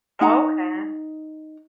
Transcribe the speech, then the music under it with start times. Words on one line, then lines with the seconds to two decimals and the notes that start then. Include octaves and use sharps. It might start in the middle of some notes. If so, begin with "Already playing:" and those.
Oh, okay.
0.21 D#4 F#5 A#5